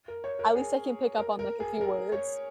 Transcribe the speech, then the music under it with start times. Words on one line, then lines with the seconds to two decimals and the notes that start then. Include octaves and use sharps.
at least I can pick up on like a few words
0.08 A#4
0.24 C#5
0.39 A#4
0.55 G#4
1.18 A#4
1.39 A#4
1.60 G#4
1.81 A#4
2.12 C#5